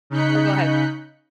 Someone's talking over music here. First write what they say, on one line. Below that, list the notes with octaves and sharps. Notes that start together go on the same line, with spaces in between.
Oh, go ahead.
C#3 D#4 F#6 G6 B6 C#7